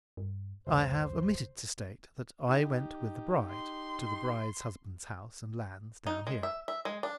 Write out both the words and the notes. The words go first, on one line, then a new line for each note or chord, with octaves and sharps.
I have omitted to state that I went with the bride to the bride's husband's house and lands down here.
G2
B1 E2 G#2 C#3 C5
D#4 G4
C6
D#4
G#3
E5
E5
G#3
D4